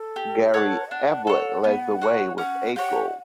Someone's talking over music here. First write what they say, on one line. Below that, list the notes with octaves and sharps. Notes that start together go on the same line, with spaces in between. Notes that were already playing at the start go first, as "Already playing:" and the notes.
Gary Ablett led the way with eight goals.
Already playing: A4
G4
C#5 F#5 A5
D4 F#5
A4 C#5
B3
F#4 C#5
C#4 F#5
G4 C#5 F#5